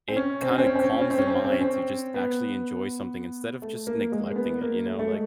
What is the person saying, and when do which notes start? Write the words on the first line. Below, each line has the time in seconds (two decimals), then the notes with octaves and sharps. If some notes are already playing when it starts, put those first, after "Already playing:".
it kinda calms the mind to just actually enjoy something instead of just neglecting it, you know, like,
0.08 C4
0.16 C#4
0.42 C4
0.50 C#4
0.58 C4
0.67 C#4
0.75 C4
0.84 C#4
0.92 C4
1.01 C#4
1.10 C4
1.18 C#4
1.27 C4
1.35 C#4
1.45 C4
1.52 C#4
1.61 C4
2.14 B3
3.62 A3
3.87 A#3
4.12 G#3
4.31 A#3
4.36 B3
4.62 A#3
4.86 A3
4.99 A3
5.11 G#3